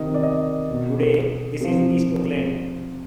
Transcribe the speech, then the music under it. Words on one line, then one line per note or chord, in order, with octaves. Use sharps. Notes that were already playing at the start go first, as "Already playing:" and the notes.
Today this is East Oakland.
Already playing: C3 D#3 D#5
D5
D#5
B2
C3 F3